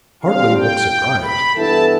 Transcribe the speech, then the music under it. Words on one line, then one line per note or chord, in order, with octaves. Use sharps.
Hartly looked surprised.
D3 G3 C4 G4 F5
G5
B5
G2 E3 B3 E4 A4 A5